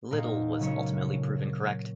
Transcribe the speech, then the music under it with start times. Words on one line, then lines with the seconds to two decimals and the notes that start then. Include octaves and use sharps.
Little was ultimately proven correct.
0.11 A#2 G#3 D#4 A#4
0.59 C#3 F#3 C#4 C#5